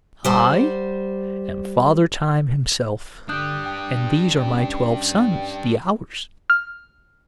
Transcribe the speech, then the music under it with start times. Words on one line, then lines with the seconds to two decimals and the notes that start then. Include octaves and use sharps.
I am Father Time himself, and these are my twelve sons, the Hours.
0.25 G3 C5 F#5
3.29 D3 D4 G4 D#6 F#6 G6
3.65 G5
4.42 C#4
6.50 F6